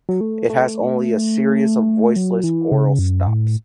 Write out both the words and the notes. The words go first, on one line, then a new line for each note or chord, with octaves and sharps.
It has only a series of voiceless oral stops.
F#3
A3
A3
F#3
E3
C#3
F#2
A2